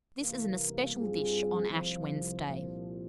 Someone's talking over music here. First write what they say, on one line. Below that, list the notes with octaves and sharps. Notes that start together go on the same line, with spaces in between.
This is an especial dish on Ash Wednesday.
C2 C3 E3 A#3
G2 G3 C4 F4 G#4
C2 C3 F3
C2 A#2 F3